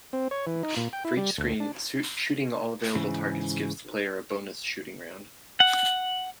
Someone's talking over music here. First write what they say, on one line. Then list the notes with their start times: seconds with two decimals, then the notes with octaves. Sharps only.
For each screen, shooting all available targets gives the player a bonus shooting round.
0.13 C4
0.31 C#5
0.47 E3
0.63 D#4
0.77 A#2
0.93 G5
1.04 E4
1.17 G3
1.38 D2
1.60 D4
2.95 G#2 C#3 E3
5.60 F#5